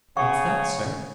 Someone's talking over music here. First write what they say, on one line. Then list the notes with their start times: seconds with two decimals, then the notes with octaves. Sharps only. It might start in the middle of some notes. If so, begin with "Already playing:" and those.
"What's that, sir?"
0.17 C#3 F#5 C#6